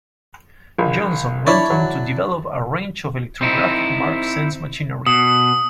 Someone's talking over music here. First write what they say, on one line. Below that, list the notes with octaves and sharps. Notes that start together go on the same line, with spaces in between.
Johnson went on to develop a range of electrographic mark-sense machinery.
A#1
D4 E4 C#5
F#3
C4 D#4 E4
B2 D#6